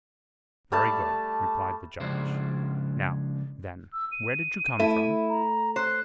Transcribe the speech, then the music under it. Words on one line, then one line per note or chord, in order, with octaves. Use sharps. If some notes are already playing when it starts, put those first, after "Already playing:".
"Very good," replied the judge; "now, then, where did you come from?"
G3 A3 A5
C#3 F3 G#3 D4 C5
E6
D#7
A3 E4
A#5
C5 F#6